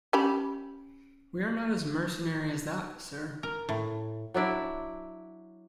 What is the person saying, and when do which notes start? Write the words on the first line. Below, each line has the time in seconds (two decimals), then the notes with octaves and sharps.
We are not as mercenary as that, sir.
0.13 C#4 G4 B5
3.43 A#4
3.69 A2
4.34 F#3 D4 E4 D5